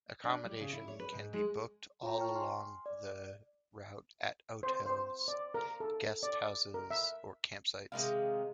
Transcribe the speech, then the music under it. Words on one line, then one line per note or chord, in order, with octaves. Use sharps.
Accommodation can be booked all along the route at hotels, guest houses or campsites.
D4
G3
C#3
E4
C#5
B4
G#2
G#3
F4 C#5 A#5
G5 A5 C#6 F6
G#5 C6 F6
D5
C5
C5
D5
A#4
A4
D5
A#4
E5
C3 D#3 G#3 F5